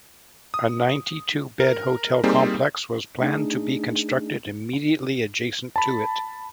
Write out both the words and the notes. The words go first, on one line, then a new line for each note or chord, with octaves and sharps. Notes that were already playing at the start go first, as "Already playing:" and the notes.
A ninety-two bed hotel complex was planned to be constructed immediately adjacent to it.
D#6
A#4
G3 A#3 C4 D#4 G#4
A3 D4 D#4 G#4
A5 B5